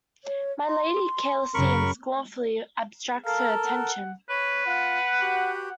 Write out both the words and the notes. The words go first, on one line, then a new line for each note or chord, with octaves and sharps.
My Lady carelessly and scornfully abstracts her attention.
C#5
C6
F#2 C#3 A#4 B5 C#6
A4 A#4 F5
F#5
B4 C#5 B5
F4 F#5
F#4 G4